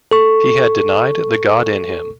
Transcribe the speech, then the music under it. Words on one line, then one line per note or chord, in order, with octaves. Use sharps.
He had denied the God in him.
A4 C#6